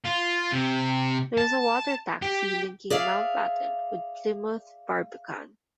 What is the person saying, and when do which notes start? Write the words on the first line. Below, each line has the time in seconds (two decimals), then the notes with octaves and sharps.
There is a water-taxi linking Mountbatten with Plymouth Barbican.
0.05 F4
0.52 C3
1.38 A5
2.22 G4
2.90 G#4 D5 E5 F5